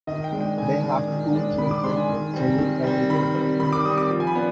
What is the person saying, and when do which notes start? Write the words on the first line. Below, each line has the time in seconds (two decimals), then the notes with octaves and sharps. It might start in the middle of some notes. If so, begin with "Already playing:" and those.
They have two children, Jennie and Ethan.
0.07 D#3 D#5
0.24 G5
0.32 G#3 D4
0.40 G5
0.58 D#3 G#5
0.83 G#3 D4
1.08 D#3
1.33 G#3 D4
1.58 D#3 B5
1.71 D6
1.84 G#3 D4 C6
1.96 G#5
2.09 D#3
2.34 G3 C4
2.59 D#3
2.84 G3 C4
3.10 D#3 B5
3.35 G3 C4
3.60 D#3 B5
3.73 D6
3.85 G3 C4 D#6
3.98 D6
4.10 F3
4.20 G#5
4.27 B5
4.35 B3 D4